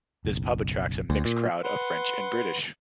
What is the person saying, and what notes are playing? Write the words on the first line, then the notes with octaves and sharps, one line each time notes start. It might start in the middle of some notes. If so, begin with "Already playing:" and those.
This pub attracts a mixed crowd of French and British.
F#1 B1
D2
A#2
B4 F#5 C6